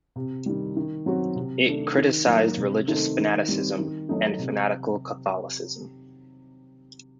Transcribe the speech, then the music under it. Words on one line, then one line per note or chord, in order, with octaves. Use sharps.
It criticized religious fanaticism and fanatical catholicism.
C3
D#3 G3
D#3
F#3 C4 F#4
C3
D#3 A3 D4
D#3
F#3 A#3
C3
D#3 A3 C4 D#4
D#3
G3 C4
D#3
F#3 A3 D#4
C3